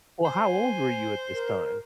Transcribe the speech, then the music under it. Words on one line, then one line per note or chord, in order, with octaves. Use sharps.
Well, how old were you at this time?
C5 G#5
A#4